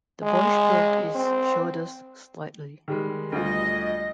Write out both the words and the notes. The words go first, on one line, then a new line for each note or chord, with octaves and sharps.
The boy shrugged his shoulders slightly.
G#3
C4
D#3 G3 G#3
D2 G3 F4 D#5